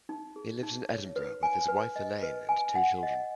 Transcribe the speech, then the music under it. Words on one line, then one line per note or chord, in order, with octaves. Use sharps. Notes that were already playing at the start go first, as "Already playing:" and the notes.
He lives in Edinburgh with his wife, Elaine, and two children.
D#4
G#4
D#4
C#5
B4
G#5
B4
D#5
B4
G#5
F#5
D#5